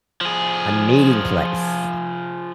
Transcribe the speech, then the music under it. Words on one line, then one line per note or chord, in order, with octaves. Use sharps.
A meeting place.
F3 G#4